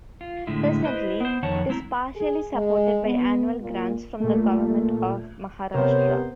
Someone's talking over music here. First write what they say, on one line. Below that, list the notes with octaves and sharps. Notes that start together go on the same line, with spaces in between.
Presently, it is partially supported by annual grants from the Government of Maharashtra.
F4
A2 D3 G#3 E4
E4 B4 C5 D#5
B3 C5
F2 D#3 C#5 F#5 A5
G#3 C4 E4 A#5
G#4
G#3
B3
A#2
A#2 A3
C3 B3 A#4 C5 C#5